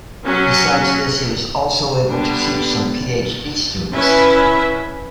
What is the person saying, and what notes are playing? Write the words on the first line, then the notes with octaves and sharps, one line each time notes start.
Besides this he was also able to teach some Ph.D. students.
F#3 C#4 F#4
D3 G3 B3 D4
C#4 E4 B4 E5